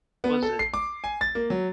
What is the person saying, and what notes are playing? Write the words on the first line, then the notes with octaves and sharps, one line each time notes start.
Was it
B3
A4
C7
D6
G#5
A6
A#3
F#3